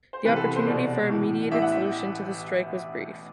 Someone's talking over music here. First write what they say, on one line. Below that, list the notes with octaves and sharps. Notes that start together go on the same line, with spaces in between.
The opportunity for a mediated solution to the strike was brief.
C5
C2 C3 E3 B4
A4
B4
C5
C2 B2 D5
B1 A2 E3
A1 A2 E3 E5
F#5
E5